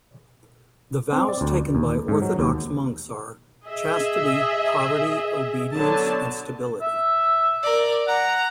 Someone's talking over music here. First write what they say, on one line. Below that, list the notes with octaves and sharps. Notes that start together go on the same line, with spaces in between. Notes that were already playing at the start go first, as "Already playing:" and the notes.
The vows taken by Orthodox monks are: Chastity, poverty, obedience, and stability.
C4
D5
D2
D#2
G#2
F#3
D#2
G#4 D#5 E5
D3 F#3 B3 A5
E5
A#4 D5
F#5 A#5